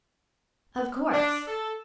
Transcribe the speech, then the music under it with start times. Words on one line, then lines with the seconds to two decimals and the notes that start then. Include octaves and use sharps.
'Of course!
1.11 D4
1.47 A4